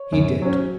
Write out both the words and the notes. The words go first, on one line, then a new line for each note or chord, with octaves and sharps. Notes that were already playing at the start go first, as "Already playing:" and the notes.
"He did."
Already playing: C#5
F#2
F#3 C#4